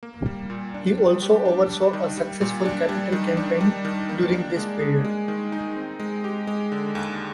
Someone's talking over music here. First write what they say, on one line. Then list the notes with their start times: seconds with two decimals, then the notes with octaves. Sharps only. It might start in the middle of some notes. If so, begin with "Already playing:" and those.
He also oversaw a successful capital campaign during this period.
0.03 A#3
0.26 G3
0.50 A#2
0.74 D4
0.98 G3
1.22 G4
1.45 D4
1.70 G3
1.93 D#3
2.17 G3
2.41 A#2
2.66 D4
2.89 G3
3.12 D#3
3.37 D4
3.61 G3
3.85 D#3
4.09 A#3
4.33 D4
4.56 G#3
4.80 G#4
5.04 G#3
5.28 D#3
5.52 D#4
5.76 C4
6.00 G#3
6.24 G4
6.47 G#3
6.72 D3
6.95 D#2